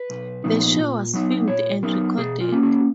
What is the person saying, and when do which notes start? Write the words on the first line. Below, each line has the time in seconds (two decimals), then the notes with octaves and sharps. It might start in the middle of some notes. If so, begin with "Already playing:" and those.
The show was filmed and recorded.
Already playing: B4
0.10 B1
0.44 A#2 F3 B3 D#4
0.79 A#2
1.14 F#3 B3 D#4
1.48 A#2 C#5
1.83 F#3 B3 D#4 A#4
2.18 B2 G#4
2.40 F4
2.52 A#3 C#4
2.63 F#4